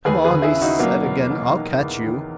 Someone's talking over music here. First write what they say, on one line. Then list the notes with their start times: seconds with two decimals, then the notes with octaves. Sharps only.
"Come on!" he said again; "I'll catch you."
0.05 D#2 G#4 B4
0.25 G#4 B4
0.31 D#2
0.42 E4 G#4
0.55 C#3
0.62 D#4 F#4
0.79 B2 F#3 A#3
1.05 E2
1.30 B2
1.54 D#3
1.79 E2
2.05 D#3